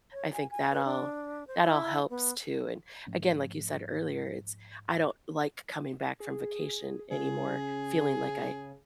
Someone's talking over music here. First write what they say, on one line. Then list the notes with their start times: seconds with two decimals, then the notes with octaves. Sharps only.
I think that all that all helps, too, and, again, like you said earlier, it's I don't like coming back from vacation anymore feeling, like, I
0.13 C#5
0.33 G#5
0.50 G#5
0.72 B4
0.85 D4
1.47 C5
1.63 E4
2.10 B3
3.07 G#2 F3 A3 C#4
6.20 G#4
7.11 C#3 G#4